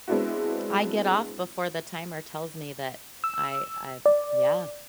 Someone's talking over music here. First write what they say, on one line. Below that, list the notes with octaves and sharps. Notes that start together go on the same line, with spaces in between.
I get off before the timer tells me that I I'm yeah.
G#3 B3 C4 D4 E4 F#4
E6
D5